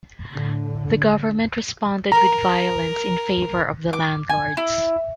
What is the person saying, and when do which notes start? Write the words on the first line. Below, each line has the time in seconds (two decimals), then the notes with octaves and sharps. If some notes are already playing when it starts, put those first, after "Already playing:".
The government responded with violence in favor of the landlords.
0.33 A2 D3
2.12 A#4 A#5
3.93 D6
4.29 G#5
4.57 E4